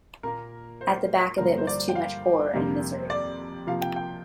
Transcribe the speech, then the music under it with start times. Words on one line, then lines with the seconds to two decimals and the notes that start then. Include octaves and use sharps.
At the back of it was too much horror and misery.
0.23 A#2 A#3 A#4
0.81 C5
1.37 G2 D3 F3 A#3 A#4
1.58 C5
1.67 D5
1.89 G5
1.95 F5
2.53 F2 C3 G3 A#3
3.10 D5
3.67 C3 F3 A#3 F5
3.82 G5
3.96 G5